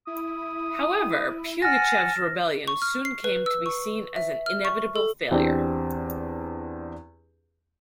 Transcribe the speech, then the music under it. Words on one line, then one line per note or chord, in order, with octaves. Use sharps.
However, Pugachev's Rebellion soon came to be seen as an inevitable failure.
E4 D#6
F#5 G#5 A5 F6 A#6
C#6
F6
C7
B4
E6
C#6
E5
F6
C#6
A4
E2 C4 D4 G4